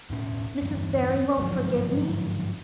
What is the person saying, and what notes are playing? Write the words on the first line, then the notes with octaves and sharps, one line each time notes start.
"Mrs. Barry won't forgive me?"
E1 A2 C#4
E2 G2
G1 G#2 F3 F#3